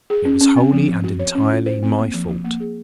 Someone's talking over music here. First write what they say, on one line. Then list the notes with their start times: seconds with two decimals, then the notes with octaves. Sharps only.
It was wholly and entirely my fault.'
0.10 G#4
0.25 C#4
0.41 C#4
0.56 C4
0.73 F3
0.88 F3
1.04 F#4
1.19 C#5
1.35 C#4
1.51 F4
1.66 C5
1.83 C4
1.98 A#3
2.14 F3
2.29 F3
2.44 A#3
2.60 G#4